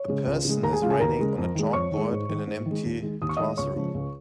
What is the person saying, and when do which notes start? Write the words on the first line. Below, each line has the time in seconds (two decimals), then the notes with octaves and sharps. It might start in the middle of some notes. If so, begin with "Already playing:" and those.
A person is writing on a chalkboard in a empty classroom.
Already playing: C#5
0.08 C#3 G#3
0.26 C#2
0.45 C#3 G#3
0.63 D#2 A#4 A#5
0.73 G#4 G#5
0.82 G#3 F4 F5
0.86 C#3 G#4 G#5
1.00 D#2 A#4 A#5
1.19 C#3 G#3
1.38 F2
1.55 D#3 G#3
1.73 F2 C#5 C#6
1.92 D#3
1.97 G#3
2.11 G#2
2.29 D#3 G#3
2.47 G#2
2.66 D#3 G#3
2.84 D#2
3.02 D#3 G#3
3.22 D#2 D#6
3.29 C#6
3.37 D#3 G#3 D#5 D#6
3.57 C#2 C#5 C#6
3.76 C#3 F3 G#3
3.94 C#2